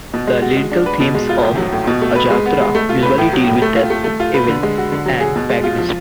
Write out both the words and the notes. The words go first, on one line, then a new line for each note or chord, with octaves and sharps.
The lyrical themes of "Ajattara" usually deal with death, evil and paganism.
B2
G#3
F#4
G#3
D4
B4
B2
G#3
F4
A2
F#3
A2
B2
A3
B4
G#3
B3
G#3
A3
F4
B4
A2
F#3
A2
A3
F4
A3
A3
F4
B4
D3
G#3
F#4
D3
F#3
G#4
B2
G#3
F4
F3